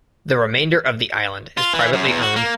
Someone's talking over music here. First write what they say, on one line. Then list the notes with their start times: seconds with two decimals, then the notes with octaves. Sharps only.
The remainder of the island is privately owned.
1.57 F4
1.74 E3
1.93 F#2
2.08 E2
2.22 F#4
2.36 A#3